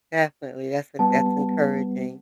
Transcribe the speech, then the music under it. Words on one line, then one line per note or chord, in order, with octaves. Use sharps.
Definitely. That's en that's encouraging.
G3 B3 A5